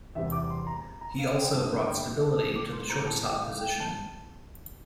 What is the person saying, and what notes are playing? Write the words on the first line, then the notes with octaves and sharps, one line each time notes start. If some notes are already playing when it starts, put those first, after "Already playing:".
He also brought stability to the shortstop position.
E2 C3 G3 C4 E5
D6
C6
A#5
A#5
F5
G5
G2 D3 G3 A#3 A5
G5
A5
A5
D6
C6
A2 G3 C4 A#5
A5
G5
F5
G5
A5